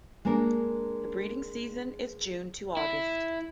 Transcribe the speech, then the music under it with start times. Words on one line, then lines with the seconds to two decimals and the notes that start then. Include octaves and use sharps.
The breeding season is June to August.
0.25 G#3 A#3 D4 A#4
2.77 E4